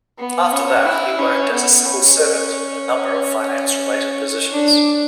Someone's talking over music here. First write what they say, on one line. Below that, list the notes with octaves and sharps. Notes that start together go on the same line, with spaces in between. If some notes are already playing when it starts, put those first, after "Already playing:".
After that he worked as a civil servant in a number of finance-related positions.
B3
C#4
E4
C#4
B3
C#4
D4